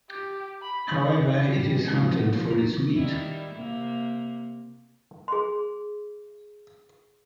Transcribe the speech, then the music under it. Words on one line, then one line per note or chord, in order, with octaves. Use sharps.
However, it is hunted for its meat.
G4
B5
D5
G3
G#3
F3
B3
F3
A#4
D#3 G3 E4
C3 A#3
G#4 C6